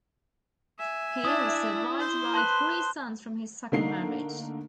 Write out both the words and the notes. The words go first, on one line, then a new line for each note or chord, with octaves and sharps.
He was survived by three sons from his second marriage.
E5 G#5
D4 E4 D#6
C5
B4 A5 C6 F#6
D3 A3 A#3 D#4 C7